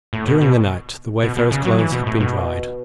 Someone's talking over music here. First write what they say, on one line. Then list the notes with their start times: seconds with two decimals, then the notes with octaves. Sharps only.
During the night the wayfarer's clothes had been dried.
0.13 A2
0.27 B2
0.41 B2
1.23 B2
1.37 B2
1.51 C#3
1.65 F#3
1.79 E3
1.92 B2
2.07 A2
2.20 B2